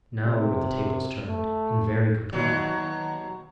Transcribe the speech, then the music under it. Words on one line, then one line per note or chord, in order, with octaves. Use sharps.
Now were the tables turned, and very completely.
C3
A3
D#2 B2 F#3